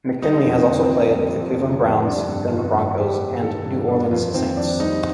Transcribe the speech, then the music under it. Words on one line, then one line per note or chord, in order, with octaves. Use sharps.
McKinley has also played for the Cleveland Browns, Denver Broncos and New Orleans Saints.
G3 D#4
F2
C4
D3
C4
F2
G3
F2
D3
F2
G3 D4
G2
D#3 F4
G2
G3 G4
G2
D#3 A4
G2
G3 D4
F2 F4
D#3 C4
F2 D4
G3 D#4